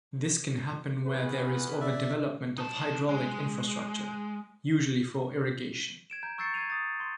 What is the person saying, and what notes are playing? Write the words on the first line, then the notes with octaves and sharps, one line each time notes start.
This can happen where there is overdevelopment of hydraulic infrastructure, usually for irrigation.
E2 G#4 B4
D5 E5
D#4 A5
G#3
G#6 D7 E7
A#5 G6
C#6 E6 G6 A6 C7 C#7
G6 G#6 C7 D#7 F7
D#6 A6
C6